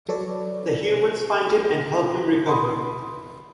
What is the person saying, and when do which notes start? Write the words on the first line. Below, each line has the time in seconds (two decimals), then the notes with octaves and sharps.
The humans find him and help him recover.
0.08 F#3 A4 B4 C#5 D5
2.47 B5 C6 D#6